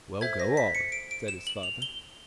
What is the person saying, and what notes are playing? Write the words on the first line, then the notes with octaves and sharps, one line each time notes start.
"Well, go on," said his father.
A4 C5 E5 G#6
A#6
B6
C#7
D7
D7
E7
F#7
F7
G7